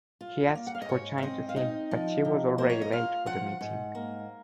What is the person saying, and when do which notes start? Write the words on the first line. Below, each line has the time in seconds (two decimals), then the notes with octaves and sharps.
He asked for time to think, but she was already late for the meeting.
0.21 F4
0.55 A#3
0.67 F#5
0.75 F5
0.82 D#5
0.89 G#2 C#5
1.18 F5
1.23 C4 D#5
1.49 F5
1.56 D#4 D#5
1.91 F3
2.25 C3
2.58 A#3 C5
2.69 C#5
2.82 D#5
2.92 F4 F5
3.26 F3 F#5
3.61 G#2
3.95 A#3